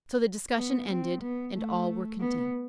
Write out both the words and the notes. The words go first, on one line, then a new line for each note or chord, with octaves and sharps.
So the discussion ended, and all were content.
B3
C4
B3
A3
B3